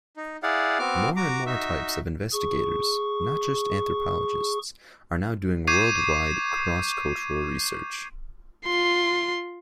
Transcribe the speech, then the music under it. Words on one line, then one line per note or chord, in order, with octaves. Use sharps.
More and more types of investigators-not just anthropologists-are now doing worldwide cross-cultural research.
D#4
E4 G#4 D5 F5 F#5
B3 C4 F#4 D6 F6
F#4 A#5 D6
D#4 F#4 E5
G#4 C#6
C#6 D6 G6 G#6 C7 D#7
F4 C6